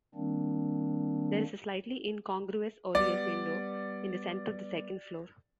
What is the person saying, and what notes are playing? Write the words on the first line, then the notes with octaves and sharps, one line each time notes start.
There is a slightly incongruous oriel window in the centre of the second floor.
D#3 G3 A#3 C4 D4
G3 B3 D5